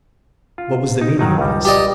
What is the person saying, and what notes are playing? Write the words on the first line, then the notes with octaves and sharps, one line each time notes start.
What was the meaning of this?
F4
D#4
D#3 F#3 D#4
C#2 G3
G4 D5 D#5